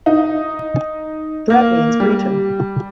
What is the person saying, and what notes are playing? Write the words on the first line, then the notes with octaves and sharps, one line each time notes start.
"Bret" means 'Breton'.
D#4
A#3
G3